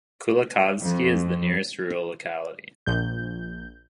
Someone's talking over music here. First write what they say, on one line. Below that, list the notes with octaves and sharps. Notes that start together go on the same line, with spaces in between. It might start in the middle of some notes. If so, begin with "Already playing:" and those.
Kulikovsky is the nearest rural locality.
F2
A#1 G6